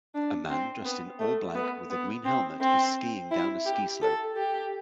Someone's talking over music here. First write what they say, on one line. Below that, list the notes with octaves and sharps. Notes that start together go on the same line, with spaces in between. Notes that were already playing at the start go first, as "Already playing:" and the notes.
A man dressed in all black with a green helmet is skiing down a ski slope.
D4
C4
B3
A3
B3
B3
C4
C4
E4
G4
A4
G4